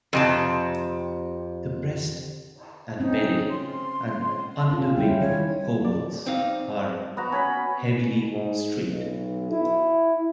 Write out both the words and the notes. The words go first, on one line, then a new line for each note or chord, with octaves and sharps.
The breast and belly and underwing coverts are heavily streaked.
F2 C3 A5
C4 C#4 D#4
C6
C#4 F4
G3 C#4 E4 G5
D#3 C#5
D5
C4 D#4 F5
B3 F#4 A#5
C#4 G#5 B5
G#2
B1
E4